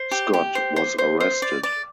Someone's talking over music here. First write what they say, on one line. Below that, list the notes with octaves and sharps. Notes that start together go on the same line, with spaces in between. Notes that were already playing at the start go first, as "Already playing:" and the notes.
Scott was arrested.
Already playing: C5
G4
G4
C5
C5
C5
C5
D5
D5